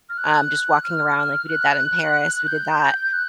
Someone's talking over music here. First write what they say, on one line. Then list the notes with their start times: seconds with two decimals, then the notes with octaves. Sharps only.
um, just walking around, like, we did that in Paris, we did that,
0.09 F6
0.18 F#6
0.83 F6
1.49 F#6
2.47 G6
3.13 F#6